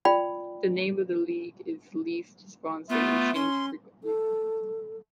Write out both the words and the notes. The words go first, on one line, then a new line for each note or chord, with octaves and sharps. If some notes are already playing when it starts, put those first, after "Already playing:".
The name of the league is leased to sponsor and changes frequently.
F4 D5 G5 B5
A3 B3 F4
C#4 C6
A4